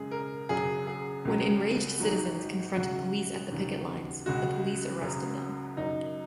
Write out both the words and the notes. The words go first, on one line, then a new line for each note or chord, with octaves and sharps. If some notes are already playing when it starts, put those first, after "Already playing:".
When enraged citizens confronted police at the picket lines the police arrested them.
Already playing: F#2 C#3 G#3 G#4
A#4
F#1 F#2 C#3 F#3 G#4
G#4
C#2 C#3 F#3
G#1 G#2 F#3
C#2 C#3 F#3 F#4
D#2 C#3 F#3
C#2 C#3 G#3 F#4
F#1 F#2 C#3 F#3
F#1 F#2 F#3 D#4